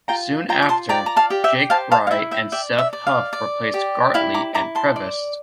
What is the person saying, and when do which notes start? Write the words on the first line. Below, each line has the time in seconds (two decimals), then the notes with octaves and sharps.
Soon after Jake Rye and Seth Huff replaced Gartley and Prevost.
0.08 F4 G5 A#5
0.49 F4 G5 A#5
0.62 D6
0.69 A5 C6
0.89 D5 G5 A#5
1.06 A#5
1.16 F5 A5
1.30 G4
1.44 E5 G5
1.70 C5 F5 A5
1.92 F5 A5
2.07 F5
2.11 E4 E5 G5
2.31 E5 G5
2.52 D5 E5 G5
2.78 E5
2.93 D5
3.07 F5
3.33 D5
3.74 G4
4.14 E4 F5
4.34 A#5 D6
4.54 E4 A#5 D6
4.75 A5 C6
4.96 D5